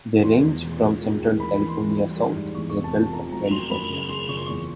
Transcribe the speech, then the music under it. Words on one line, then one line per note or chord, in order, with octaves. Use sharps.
They range from central California south to the Gulf of California.
E2 C6
E2
E1
F3
G#3
D#2
E3 B5
E3
C6
E3
G3
G3
G#2
E2 C#6
C#6
F1
A5
F3
A5
F2 A#5
F#3 A#5
F#3 C6
F#2 B5
C#3
C#3 C6
F#1 C#6
C6
E2 C#6